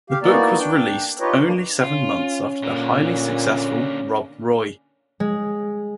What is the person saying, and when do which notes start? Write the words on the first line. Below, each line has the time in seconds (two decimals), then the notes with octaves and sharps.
The book was released only seven months after the highly successful "Rob Roy".
0.10 G4 F5
0.22 E3 A#3 B3 D#4 F#4 D5
0.58 D4 G5
1.20 D#4 F4 G4 B4 C#5 D#5
1.44 E3 A#3 D4
1.83 C#4 F4
2.63 A#2 D3 A#3
5.20 G#3